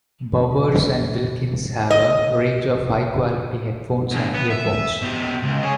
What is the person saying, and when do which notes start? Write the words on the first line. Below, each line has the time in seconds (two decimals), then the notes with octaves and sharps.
Bowers and Wilkins have a range of high quality headphones and earphones.
1.91 D#5
4.12 E2 G2
4.34 B3
4.50 E5
5.01 B2 G4
5.43 C#2
5.62 G#4 C#5